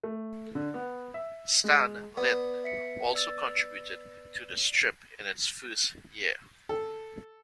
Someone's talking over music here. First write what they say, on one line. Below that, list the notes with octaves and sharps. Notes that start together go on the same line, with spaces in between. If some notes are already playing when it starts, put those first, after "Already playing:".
Stan Lynde also contributed to the strip in its first year.
A3
D3
B3
E5
G#3
B3 D5
E5 B6 C#7
D5 E6 A6
A4